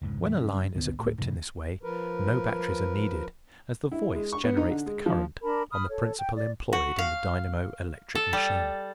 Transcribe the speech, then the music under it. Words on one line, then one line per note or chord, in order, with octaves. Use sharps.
When a line is equipped in this way no batteries are needed, as the voice generates the current, on the principle employed in the dynamo-electric machine.
F1 C#2 G#2
E2 A2 E3 G3
F#1 F#2 C#4
G#1 C#2 D3 B3
D1 A2
F2 A2 C3 D#3
F3 A#4 B4
E4
G#3
C#6
B3
D#4
D3
G#3
F3
D4 A#4 A5 B5
B5 D#6 F6
A4 C#5
G5
D5
F#4
F5
A4
G3